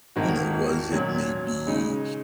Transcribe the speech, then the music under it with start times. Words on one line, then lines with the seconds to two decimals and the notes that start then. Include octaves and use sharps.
You know, was it maybe,
0.16 G#1 G#2 D#3 A#3 F#4
0.92 A#2 F#3 C#4
1.67 C#3 G#3 D#4